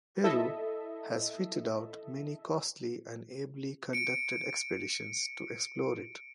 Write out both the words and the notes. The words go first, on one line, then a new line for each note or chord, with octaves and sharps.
Peru has fitted out many costly and ably-conducted expeditions to explore it.
E4 A4 D#5 E5
C#7 D7